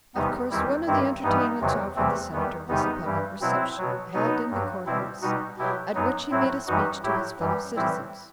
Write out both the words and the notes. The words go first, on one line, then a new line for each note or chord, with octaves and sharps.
Of course one of the entertainments offered the Senator was a public reception, held in the court house, at which he made a speech to his fellow citizens.
E2 C3 D#3 G3 B3 D#4
E2 D#3 G3 C4 E4
G2 D#3 G3 C4 E4
G2 E3 G3 B3 D#4
E2 C3 D#3 F#3
E2 C3 E3 G3 A3 C4
E2 D#3 G3 B3
E2 C3 D#3 G3 B3 D#4
G2 E3 G3
B2 F#3 C4 E4
B2 F#3
B2 F#3 B3 D#4
G2 F#3
B2 G3 C4 E4
B2 G3 D#4 F#4
B2 F#3 E4 G4
F#2 F#3 B3 D#4
A2 F#3 C4 E4
F#2 E3 G3 D#4 F#4
A2 F#3 E4 G4
F#2 E3 G3
A2 E3 G3 C4 E4